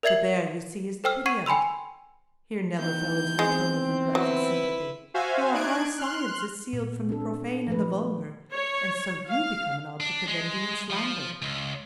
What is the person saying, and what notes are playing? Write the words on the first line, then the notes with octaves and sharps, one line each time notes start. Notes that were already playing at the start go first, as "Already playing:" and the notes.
But there, you see, is the pity of it,"--here Nello fell into a tone of regretful sympathy--"your high science is sealed from the profane and the vulgar, and so you become an object of envy and slander.
A#4 D5 E5 G#6 C7 F#7
A4 C5 G5 E6 F6
F#5 C#6 G#6 C7 D#7
G5 G#5 B5 C6 E6
E2 E3 D#4 G6
G#3 C4
F#3 E4 B4
F#4 C5 E5 F5 G#5
D4 D#4 F#6 G#6 D7
C6 F6 F#6
A#2 B3
C4 D4 A4
F3 A3 B4
C#5
F5
D4
G#3
F3
C#2